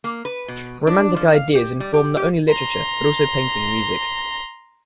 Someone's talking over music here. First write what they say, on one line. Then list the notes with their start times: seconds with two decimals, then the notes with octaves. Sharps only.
Romantic ideas informed not only literature but also painting and music.
0.04 A#3
0.25 B4
0.48 B2
0.87 D4
1.16 F3
1.34 F5
1.55 G4
1.80 G3
1.94 G4
2.17 G4
2.50 A#5 C6